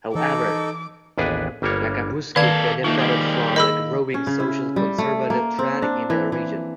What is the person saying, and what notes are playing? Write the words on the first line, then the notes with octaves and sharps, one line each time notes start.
However, Yakabuski benefited from a growing social conservative trend in the region.
E3 D#4 A4 D6
A1 D#2 B3 D4 G#4 B4
G1 G3 A#3 D4 C#5
D#3 A#3 A4 D5 F5 G#6
D#3 E3 A3 A#3 D4 F4
F3 G3 G#3
G#4 A#4 D#5 B5 E6
C#4
C#3
E4
G3
A3
A#3
C4
D4
E3
E3